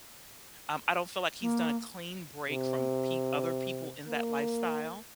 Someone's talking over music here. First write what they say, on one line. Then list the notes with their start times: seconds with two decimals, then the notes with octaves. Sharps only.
Um, I don't feel like he's done a clean break from peo other people in that lifestyle.
1.41 A#3
2.49 C3
4.08 A#3